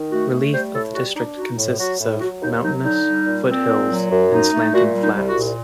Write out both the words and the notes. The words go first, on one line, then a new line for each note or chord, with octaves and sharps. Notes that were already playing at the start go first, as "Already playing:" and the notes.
Relief of the district consists of mountainous, foothills and slanting flats.
Already playing: D#3
A3 F#4
A3
G3 C5
A2 A4
G3 F#4
D4 D#4
D#4 F#4
A2
F#3 F#4
A2
F#3 F#4
D#2 D#4
F#3 D#4
D3 D#4
G3
A#2
C4
A#2
F#3
F#2
D#4
A3
A#2 F#4
G3
D#4
C2
F#4
A#2